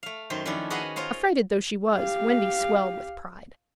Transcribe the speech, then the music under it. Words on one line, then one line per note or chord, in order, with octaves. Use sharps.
Affrighted though she was, Wendy swelled with pride.
A3 F5
F#2 D#3 C5
D#3 F3 C#4 D4 E4 A4
F#4 G#4 B4 D#5 F5 F#5
F4 C5 C#5 F5 A#5
G4 F5